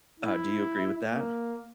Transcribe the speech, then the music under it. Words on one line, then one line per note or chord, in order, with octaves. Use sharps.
Uh, do you agree with that?
E4
A#3